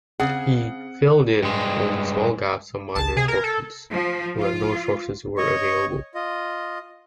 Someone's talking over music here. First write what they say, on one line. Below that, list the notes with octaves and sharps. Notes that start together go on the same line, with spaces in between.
He "filled in" only small gaps of minor importance, where no sources were available.
C#3 C4 G#4 F#5
G2 G#3
G#1 C#2 G#4 A5
C3 G#4
A#4 G#6
A4
F3
F4
C#5 D#5 C#6
F4 D#5